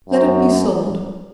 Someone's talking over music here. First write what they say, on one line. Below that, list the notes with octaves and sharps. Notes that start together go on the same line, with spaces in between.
Let it be sold.'
F#2